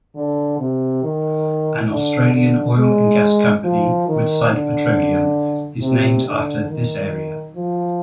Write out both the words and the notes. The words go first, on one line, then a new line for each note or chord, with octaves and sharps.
An Australian oil and gas company, Woodside Petroleum, is named after this area.
D3
C3
D#3
D3
D3
G#3
F3
D#3
D3
C3
D3
D#3
F3